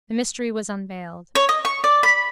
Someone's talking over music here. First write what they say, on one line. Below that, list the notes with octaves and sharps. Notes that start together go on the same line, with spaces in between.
The mystery was unveiled.
C#5
D#5
C#6
D5
B5